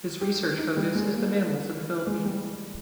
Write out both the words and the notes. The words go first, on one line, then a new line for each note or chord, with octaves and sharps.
His research focus is the mammals of the Philippines.
G4
D#4
G3
G#3
A#3
G#3
G3